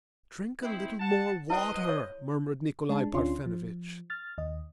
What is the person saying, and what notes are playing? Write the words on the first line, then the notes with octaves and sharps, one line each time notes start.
"Drink a little more water," murmured Nikolay Parfenovitch.
D#3 C4 E4
F#5 A5
C4 E4 B4 D#5
C#5
G#3 D4 A5
D2 C#4 D4 F4 C6
F3
F6 A6
D#2 D#5